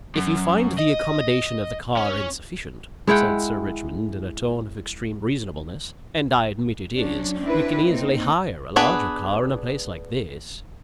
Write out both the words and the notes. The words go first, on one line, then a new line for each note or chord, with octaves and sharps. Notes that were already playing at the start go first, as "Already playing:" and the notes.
"If you find the accommodation of the car insufficient," said Sir Richmond in a tone of extreme reasonableness, and I admit it is, we can easily hire a larger car in a place like this.
F#2
D#5
C#4
G#3 E4 F#5 G5
F#3 C#4 D4
C4 D4 E4 B4
A#3 C4 D#4
B3 D4 G#4 B4